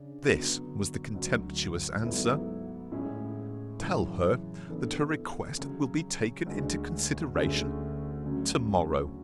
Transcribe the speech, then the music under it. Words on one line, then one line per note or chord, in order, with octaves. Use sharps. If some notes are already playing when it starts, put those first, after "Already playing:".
This was the contemptuous answer: 'Tell her, that her request will be taken into consideration to-morrow.'
Already playing: C#3 D4
F#2 D3 F#3 B3 F#4
D2 D3 F#3
G#2 F#3 B3 E4 A4
A2 G#3 C#4 E4 G#4
F#2 C#3 E3
E3 B3 D4 A4
C#3 F#3 C#4
D2 D3 G#3 D4
D2 D3 A3 C#4 G#4
D2 C#3 F#3 C#4